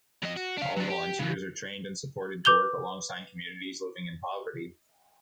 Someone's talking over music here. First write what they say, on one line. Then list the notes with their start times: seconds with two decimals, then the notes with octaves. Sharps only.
All volunteers are trained and supported to work alongside communities living in poverty.
0.23 F2 D#5
0.36 F#4
0.57 D4 F5
0.76 F#3 D4
0.89 G4
1.19 C#3 E3
2.45 B4 D6 G6 F7 G7